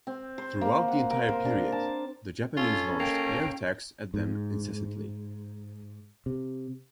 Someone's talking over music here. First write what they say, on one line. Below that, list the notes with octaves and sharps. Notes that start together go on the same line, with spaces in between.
Throughout the entire period, the Japanese launched air attacks at them incessantly.
C4
C5
A#3
F#5
A#4
C5
D4
A5
C#4 F4 A4
A#3 G5
G#2
C3